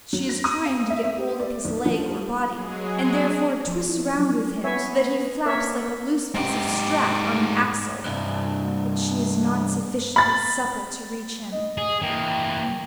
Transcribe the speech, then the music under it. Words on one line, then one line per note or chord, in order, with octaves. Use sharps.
She is trying to get hold of his leg or body, and therefore twists round with him so that he flaps like a loose piece of strap on an axle; but she is not sufficiently supple to reach him.
F#3
A#6
D#6
F5
E5
G4
D5
B1
F3
G3
F#3 G#3 G#4
F3
E4
C4
F#3
C#4
B3 C#5 E5 G#5
A#3 A#4 C#5 E5
G#2 G4
C2 G2
B5 A6
D#5
G#4
E3 A#3 G5